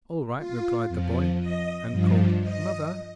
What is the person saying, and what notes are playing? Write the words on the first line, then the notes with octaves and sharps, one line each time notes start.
'All right,' replied the boy, and called 'Mother!'
F4
F2 F3
D#5
G2 F3
D#5